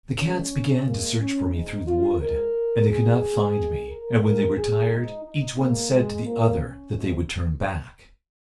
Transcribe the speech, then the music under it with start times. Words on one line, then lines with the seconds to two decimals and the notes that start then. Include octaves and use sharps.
The cats began to search for me through the wood, and they could not find me; and when they were tired, each one said to the other that they would turn back.
0.19 A#2 G#3 C#4
0.86 G#2 G#3 A#3
1.19 C#4
1.53 G#2 G#3 D#4
1.87 F4
2.20 G#2 F3 G#3 A#4
2.88 G#2 D#3 G#3 G#4
3.55 G#2 D#3 G#3
3.88 A#4
4.23 A#2 G#3 A#4
4.56 G#4
4.89 G#2 F3 G#3 D#4
5.24 D#4
5.57 A#2 F3 G#3 A#3
5.91 G#3
6.24 G#2 F3 G#3 A#3
6.58 C#4
6.92 G#2 F3 G#3